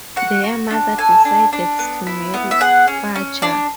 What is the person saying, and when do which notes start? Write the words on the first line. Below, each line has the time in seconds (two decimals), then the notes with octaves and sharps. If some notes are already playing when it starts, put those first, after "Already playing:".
Their mother decides to marry Fajar.
0.16 F#4 F#5
0.44 F#4
0.71 D4
0.98 A4 G#5
1.25 D4
1.53 D4
1.79 B3
2.07 E4
2.34 B3
2.51 E5
2.61 G#4 F#5
2.88 C#4
3.15 C#4
3.42 D4 D5